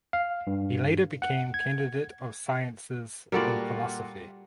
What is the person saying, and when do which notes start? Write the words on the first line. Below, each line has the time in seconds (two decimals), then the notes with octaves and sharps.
He later became Candidate of Sciences in philosophy.
0.13 F5
0.47 G2
1.22 F#5
1.54 G#6
3.32 A#2 G3 F#4 A4 A#4 D5